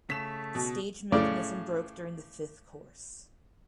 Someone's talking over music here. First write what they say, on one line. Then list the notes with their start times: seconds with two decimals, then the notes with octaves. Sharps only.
The stage mechanism broke during the fifth course.
0.10 C#3 A3 B6 E7
0.55 B2
1.12 A2 C#3 D5